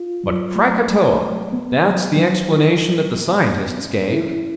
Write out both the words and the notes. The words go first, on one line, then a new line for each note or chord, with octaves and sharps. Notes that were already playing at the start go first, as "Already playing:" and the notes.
But Krakatoa: that's the explanation that the scientists gave.
Already playing: F4
F#3
A3
A3
F#3
B3
F#3
F#3
E4
F#3
B3
B3
C#4
E4